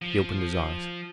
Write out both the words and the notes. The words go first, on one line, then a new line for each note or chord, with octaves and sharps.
He opened his eyes.
F3